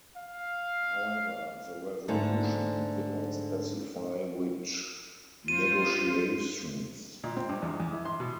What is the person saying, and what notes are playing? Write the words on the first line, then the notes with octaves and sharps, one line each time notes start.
However, the resolution did not specify which negotiations.
F5
G#2 D3 A3
F4 C5 D#7
A#2
C4
G2
E2
E2
E4
C6
B2